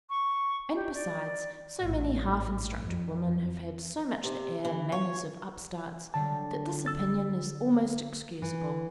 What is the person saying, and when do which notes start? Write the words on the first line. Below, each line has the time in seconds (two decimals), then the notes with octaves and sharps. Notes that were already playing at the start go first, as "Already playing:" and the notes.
And besides, so many half-instructed women have had so much the air and manners of upstarts, that this opinion is almost excusable.
0.10 C#6
0.74 G4
0.94 D5
1.83 A1
2.84 F2
4.24 C3
4.65 E3
4.92 C#5
6.14 D3 F#3 G3 A5
6.86 E6 A6
8.42 E3